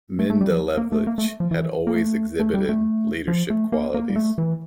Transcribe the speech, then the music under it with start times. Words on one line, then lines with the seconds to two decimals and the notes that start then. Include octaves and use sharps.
Mendelevitch had always exhibited leadership qualities.
0.19 A3
0.30 A3
0.41 G3
0.52 F3
0.77 A#3
0.92 A3
1.07 A#3
1.18 A3
1.40 F3
1.51 E3
1.87 A#3
1.96 A3
2.39 A3
2.54 G3
2.69 A3
3.28 F3
3.50 A3
3.72 A#3
3.94 A#3
4.10 G3
4.16 A3
4.38 E3